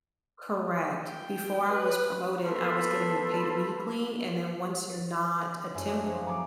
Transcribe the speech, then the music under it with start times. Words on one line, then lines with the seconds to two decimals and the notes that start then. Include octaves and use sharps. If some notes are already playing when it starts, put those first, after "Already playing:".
Correct. Before I was promoted, I was getting paid weekly, and then once you're not a temp
1.06 G5
1.70 B4
2.43 A#3 B3 A4 C5 B5
5.74 F#2 A2 D4 G#4 E5
6.06 F3 F#3 C5
6.27 B3 A#5 D6